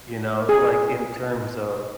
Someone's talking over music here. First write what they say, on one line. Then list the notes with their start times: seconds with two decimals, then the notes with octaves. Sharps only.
you know, like, in terms of,
0.49 G#4